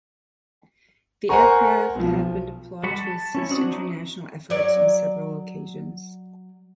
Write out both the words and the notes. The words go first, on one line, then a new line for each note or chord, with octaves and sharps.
The aircraft have been deployed to assist international efforts on several occasions.
A#4 C5 F#5 G#5 A#5 C#6
B1 F3
G3 G#3 F#4 F#5 B5
A5
C#4 E4 C#5
C4 D4 F#4 D#6
D#4 E4
F#3 C#5 D5